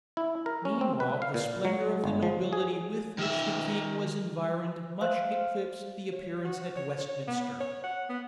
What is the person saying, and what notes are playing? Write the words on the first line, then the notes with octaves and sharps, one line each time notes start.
Meanwhile the splendor of the nobility with which the king was environed much eclipsed the appearance at Westminster.
E4
A#4
C#4
C4
B4
F5
A#2
F#3
G1
F3
G#4
D#3 E5
C5 F5 C6
C#5
F#4
C#5
C#5
B3
C#5
F#5
B3